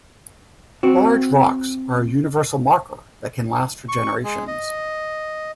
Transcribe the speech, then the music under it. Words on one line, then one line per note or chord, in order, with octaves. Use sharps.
Large rocks are a universal marker that can last for generations.
C4 F#4
C#6
G#3
D#5